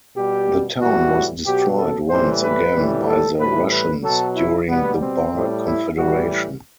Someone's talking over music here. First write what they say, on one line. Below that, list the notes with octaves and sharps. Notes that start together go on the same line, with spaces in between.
The town was destroyed once again by the Russians during the Bar Confederation.
B2 G3 G4
A2 E3 G3 F#4
B2 F#3 G4
A4
A2 E3 G3 C5
B4
A2 E3 G3
A4
A2 E3 G3 B4
B4
B2 F#3 A4
E4
B2 G3 B3
C4
A2 G3
E4
A2 E3 G3 F#4